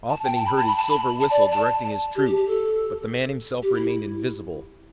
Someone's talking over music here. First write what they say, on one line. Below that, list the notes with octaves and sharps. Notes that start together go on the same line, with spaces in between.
Often he heard his silver whistle directing his troop, but the man himself remained invisible.
A5
G5
A5
B5
A5
B5
A5
B5
A5
D5
A5
A5
G4
G4
G4
A4
G4
E4